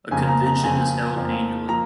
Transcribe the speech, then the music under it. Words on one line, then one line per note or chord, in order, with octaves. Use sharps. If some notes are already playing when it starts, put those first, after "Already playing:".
A convention is held annually.
F2 C#3 A#3 G#5
A#5
A#5
F2 C#3 A#3 G#5
F2 F3 A#3
F3 A#3 A#5